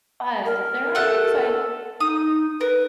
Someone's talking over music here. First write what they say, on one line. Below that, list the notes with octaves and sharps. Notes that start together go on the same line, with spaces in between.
but there are things I
A#4
A3 A4 F#5
D#4 D#6
A#4 B4